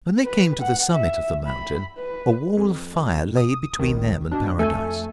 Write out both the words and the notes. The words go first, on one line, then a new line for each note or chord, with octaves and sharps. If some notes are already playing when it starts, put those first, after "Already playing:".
When they came to the summit of the mountain a wall of fire lay between them and Paradise.
B4
F#5
E5
B5
B4
F2
D#6
G#1 C#2 D#3
B2 D4
F2 A3 A4 G#5